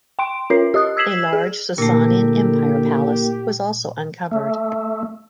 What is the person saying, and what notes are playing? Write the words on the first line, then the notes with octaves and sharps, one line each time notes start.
A large Sasanian Empire palace was also uncovered.
G5 C6 D7
C#4 F4 A#4 C#5 C7
G4 D#5 D#6 F#6
E6 G#6 B6 C7 E7 F#7
G#4
A#2 D3 A3 A#3 E4 G4 A#4
A3